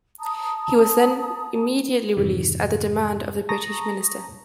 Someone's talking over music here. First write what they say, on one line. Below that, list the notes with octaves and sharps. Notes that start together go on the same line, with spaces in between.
He was then immediately released at the demand of the British minister.
A5 A#5 D#6
F2 G#2 C3 D#3 E3
A5 A#5 C#6 D#6 A#6